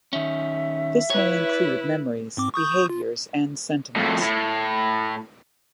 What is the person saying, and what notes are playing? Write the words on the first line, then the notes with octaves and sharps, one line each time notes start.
This may include memories, behaviors and sentiments.
D#3 C#4 E5
E4 B4 C#5
G#2 C4 D6
C#6 D#6 G6
F4
F2 A2
A2